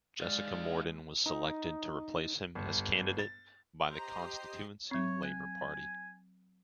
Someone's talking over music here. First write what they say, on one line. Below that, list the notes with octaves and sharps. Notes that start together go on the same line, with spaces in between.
Jessica Morden was selected to replace him as candidate by the Constituency Labour Party.
G#3 D#4 D5 F5
D#4
G1
A6
G4 C5 D#5 A#5 C7
F#3 C4 C#5
G#5 F#6